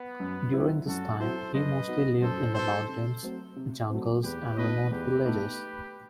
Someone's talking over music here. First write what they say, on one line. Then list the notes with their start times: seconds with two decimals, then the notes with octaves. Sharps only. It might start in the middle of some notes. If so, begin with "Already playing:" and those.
During this time, he mostly lived in the mountains, jungles and remote villages.
Already playing: B3
0.20 F#2
0.53 F#3 C4 E4
0.86 F#2 F#4 A4
1.20 F#3 C4 E4 A4 C5
1.54 F#2 B4 D#5
1.88 F#3 B3 D#4
2.21 F#2 A4 C5
2.55 F#3 B3 D#4 A4 C5
2.89 C3
3.23 F#3 A3 C4
3.56 C3
3.90 F#3 A3 C4
4.24 E2 G4 B4
4.58 B2 A3 D#4 B4 D#5
4.91 E2 G4 B4
5.25 B2 A3 D#4